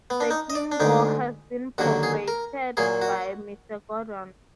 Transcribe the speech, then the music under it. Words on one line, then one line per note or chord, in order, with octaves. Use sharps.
The ginkgo has been propagated by Mr. Gordon.
B3
D4
D#4
D#5
D5
D4
D2 D3 G#3 D#4
D#2 D3 F#3 A#3 F#4
G#4
A#4
A#2 F#3 A#3 G#4
F#4